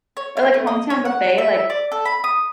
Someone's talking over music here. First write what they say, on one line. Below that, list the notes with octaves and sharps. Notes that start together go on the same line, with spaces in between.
Or, like, Hometown Buffet, like
C#5
F5
A3
D#5
C#5
F#5
E5
D5
A4
B5
D#6